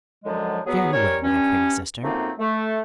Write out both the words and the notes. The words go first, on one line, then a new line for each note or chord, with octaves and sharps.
Fare you well, my pretty sister.
F#2 A2 D3 F3 F#3 G#3
F#3 B3 G#4
G3 C#4 A#4 C#5
G2 C#4
F#2 F3 A3 A#3 C4 D#4
A3